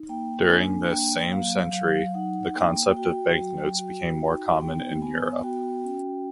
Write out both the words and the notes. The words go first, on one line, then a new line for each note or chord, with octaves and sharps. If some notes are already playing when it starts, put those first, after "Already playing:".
During this same century, the concept of bank notes became more common in Europe.
Already playing: D#4
A#3 G5
D4 G#5
A#3 G5
F#3 F5
F#3 F5
D#4 F#5
A#3 G5
F#4 G5
F#3
F#4
D#4
B3 G5
B3 G#5
F#4 G5
C#4